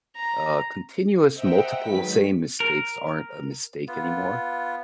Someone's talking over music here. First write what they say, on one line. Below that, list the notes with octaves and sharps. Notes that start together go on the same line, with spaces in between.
uh, continuous, multiple, same mistakes aren't a mistake anymore.
A#5
C5 D#5 E5 F#5 G5 A#5
D#3 F#3 G#3 B4 B6
A#4
B3 F4